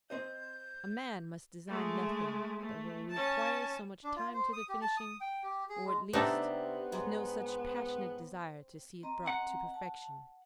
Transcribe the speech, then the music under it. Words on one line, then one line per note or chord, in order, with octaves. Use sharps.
A man must design nothing that will require so much time to the finishing, or, at least, with no such passionate desire to see it brought to perfection.
C4 C5 D#5 G6
G#3 A3
A3
C#4 A5
D4
F4
C5
D#6
G4
A5
D#6
G5
G4
G#4
G#3
C3 B3 C4 D4 D#4 G4 A4 D5
G#2
C4 D#5 A#5
F#5
A5